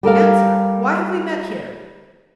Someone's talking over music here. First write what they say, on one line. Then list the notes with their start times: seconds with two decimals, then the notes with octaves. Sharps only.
Answer: why have we met here?
0.03 G3 A4 A#4 F5